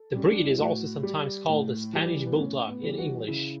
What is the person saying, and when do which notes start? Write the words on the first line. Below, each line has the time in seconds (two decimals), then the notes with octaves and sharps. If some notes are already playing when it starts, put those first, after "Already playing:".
The breed is also sometimes called the Spanish Bulldog in English.
Already playing: A4
0.13 G3 C#4
0.31 D4
0.44 E4
0.58 A2 F#4
1.03 G3
1.49 A2
1.93 E3 G3
2.27 B3
2.37 A2 C#4
2.68 B3
2.83 E3 G3
2.98 F#4
3.28 C#3 E4